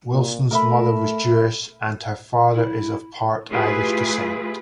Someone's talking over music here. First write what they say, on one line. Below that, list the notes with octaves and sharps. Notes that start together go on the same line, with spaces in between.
Wilson's mother was Jewish, and her father is of part Irish descent.
A#2
A3 A#4 E5 B5
E4
A3 E4 F4 G4 G#4 B4